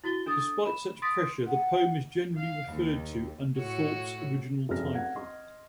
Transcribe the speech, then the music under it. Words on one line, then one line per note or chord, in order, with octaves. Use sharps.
Despite such pressure, the poem is generally referred to under Thorpe's original title.
E4 F#4 A6 G7
D4 A4 D#6 A6
B5 E7
C6 D#6 A6 B6 D7
F#5
F5
D#2
A2 F#4 C#5
F1 F#2 G#4 F6 A#6
F#5 G#6
D#5 C6